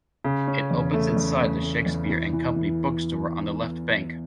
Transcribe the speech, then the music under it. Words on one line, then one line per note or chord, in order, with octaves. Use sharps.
It opens inside the Shakespeare and Company bookstore on the Left Bank.
C#3
C#4
E2
A3
E2
A3
A3
E2
E3
E3
E3